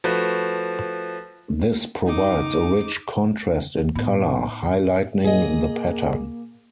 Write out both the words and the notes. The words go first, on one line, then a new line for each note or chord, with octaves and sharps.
This provides a rich contrast in color, highlighting the pattern.
F3 A3 F#4 B4
D#4 D6
A2 B3 D#4
A#2 A#3 G#4 D#5